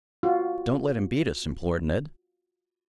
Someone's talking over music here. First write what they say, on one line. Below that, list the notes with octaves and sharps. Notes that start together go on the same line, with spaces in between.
"Don't let him beat us," implored Ned.
F4 F#4